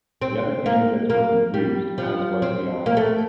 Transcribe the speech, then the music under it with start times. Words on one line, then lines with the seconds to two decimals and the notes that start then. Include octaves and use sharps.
The other candidates were confused, as was the audience.
0.22 C4
0.66 A#3
1.10 A#3
1.54 G3
1.98 F3
2.42 C4
2.86 A#3
2.97 A3